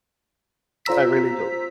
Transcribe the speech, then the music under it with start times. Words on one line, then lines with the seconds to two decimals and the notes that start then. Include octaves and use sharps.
I really do.
0.85 F4 C5 A#5 E6 B6